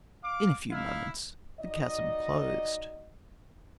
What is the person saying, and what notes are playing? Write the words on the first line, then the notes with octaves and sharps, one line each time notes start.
In a few moments the chasm closed.
F5 D6
D#4 E4 F5
D#4 F#4 D5 D#5